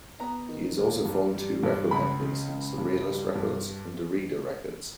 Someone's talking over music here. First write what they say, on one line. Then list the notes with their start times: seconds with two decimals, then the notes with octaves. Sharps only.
He has also formed two record companies, Surrealist Records and Derrida Records.
0.20 B3 A#5
0.49 D#3
0.77 D#2
1.05 G2
1.34 G3
1.63 G2
1.91 C#2 B5
2.21 C#3
2.49 C#2
2.78 G2
3.07 G3
3.35 G2